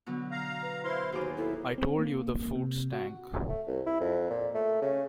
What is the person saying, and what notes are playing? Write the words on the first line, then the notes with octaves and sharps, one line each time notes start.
I told you the food stank.
B2 D3 F#3
F5 A#5
B4
E4 C5 F5 C6
D#2 B3 F#4 G#4 D6
E4 A4
C4
A#3
C3
F#4
A3
C2
E4
F2
A#2
A3
C#3